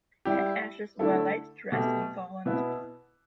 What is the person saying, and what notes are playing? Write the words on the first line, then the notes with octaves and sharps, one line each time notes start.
Her ashes were laid to rest in Poland.
G3 E4 G4
D3 A3 E4 A4 E5
B2 A3 G4 E5
B2 B3 E4 B4 E5